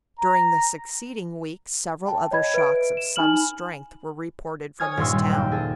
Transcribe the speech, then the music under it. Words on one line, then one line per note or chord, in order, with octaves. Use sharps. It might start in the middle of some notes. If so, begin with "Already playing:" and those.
During the succeeding week several other shocks of some strength were reported from this town.
A#5
G5 A5
C#5 D#5 B5 G#6
B4 E5 D7
E7
D#4 G#5 B5 F6 F#7
C#5 G#5 D#6 F6 G#6
D#1 G2 C6 E6
G3
F#1 A#3 G5
G#4 A4